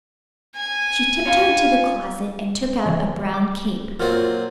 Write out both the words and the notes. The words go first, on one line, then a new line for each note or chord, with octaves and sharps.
She tiptoed to the closet and took out a brown cape.
G#5
C#4 F4
C#3 E3 G#3
D6
A#2 F#3 C4 F4